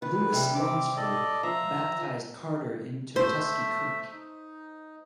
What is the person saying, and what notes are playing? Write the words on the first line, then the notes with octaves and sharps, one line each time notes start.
Lewis Lunsford baptised Carter in Totuskey Creek.
D#3 B4
C3 G3
C4 D6
A4 D5 D#5
F3 E5 A#5
A3 C5 E5
D#4